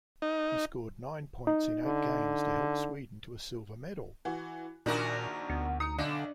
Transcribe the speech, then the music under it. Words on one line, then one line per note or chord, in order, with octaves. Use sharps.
He scored nine points in eight games to help Sweden to a silver medal.
D#4
D#4
D3
E3 F#4
A#1 A#2 D#3 D4 F#4 A#4
D2 B3
D#4 D#6 C#7
B1 D3 D4